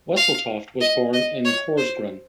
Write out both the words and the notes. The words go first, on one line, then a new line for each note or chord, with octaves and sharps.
Wesseltoft was born in Porsgrunn.
F5
D#5
D#5
C#5
C5